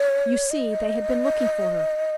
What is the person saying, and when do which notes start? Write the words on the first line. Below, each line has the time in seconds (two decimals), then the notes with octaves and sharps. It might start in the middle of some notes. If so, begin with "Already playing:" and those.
You see, they had been looking for her.
Already playing: C#5
0.51 D#5